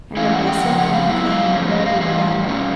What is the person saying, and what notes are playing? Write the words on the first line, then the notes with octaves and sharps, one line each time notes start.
And a race of men came and rooted it up.
G#2 E3 A3 C#4 E4 F5
F#5
G5
F2 C#3 F3 F#5
F#5
F5
A#2 F#3 B3 E4
F5
G#2 F3 A3 C#4
D#5
F5
A2 E3 G3 F5
E2 B2 G3 C#4